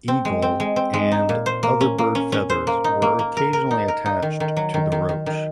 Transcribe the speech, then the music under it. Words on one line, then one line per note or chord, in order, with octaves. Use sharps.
Eagle and other bird feathers were occasionally attached to the roach.
C4
G#3
C4
G#3
C4
G#3
D#4
A#2
C5
A#3
C#4
A#3
C#4
C#4
C5
A#3
D#4
A#3
A#3
A#4
A#4
D#4
A#4
D#4
D#3
D#3
F#3
D#3
D#3
D#3
D#3